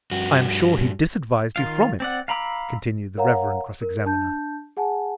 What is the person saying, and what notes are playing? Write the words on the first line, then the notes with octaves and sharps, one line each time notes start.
"I am sure he disadvised you from it," continued the reverend cross-examiner.
G2 F#4
D#3 F4 F5
C4 D5 F#5
F5 A#5 B5 D6 E6
A#4 C#5 F5 F#5 A#5
A#4
D4 A5 G6
G#4 F#5 G#5 A5